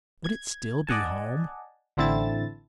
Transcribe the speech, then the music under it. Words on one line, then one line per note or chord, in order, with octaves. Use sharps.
Would it still be home?
G#6
D5 D#5 F#5 G#5 A5
A1 D3 C4 E4 A5 A6